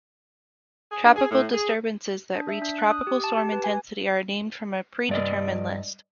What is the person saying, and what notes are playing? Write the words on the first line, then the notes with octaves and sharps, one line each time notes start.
Tropical disturbances that reach tropical storm intensity are named from a pre-determined list.
G#4
G2
G#4
A2
G#4
D4
E5
D4
F#6
D#6
G4
A5
G4
B4
G#5
G2 D5 D#5